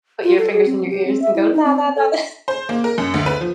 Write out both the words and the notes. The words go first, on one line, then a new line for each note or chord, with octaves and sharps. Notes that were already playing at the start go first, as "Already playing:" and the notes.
put your fingers in your ears, and go, la, la, la, la
F4
A4
G#4
C4
G4
C4
E5
E4
D#4
C4
A4
C5
A#3
A#4
F#2
D2
B4
F3